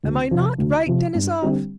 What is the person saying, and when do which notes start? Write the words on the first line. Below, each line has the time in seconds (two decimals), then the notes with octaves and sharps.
Am I not right, Denisov?
0.04 D2
0.31 C3 F3
0.58 D2
0.86 C3 F3
1.15 G2
1.42 D3 G3 C4 G4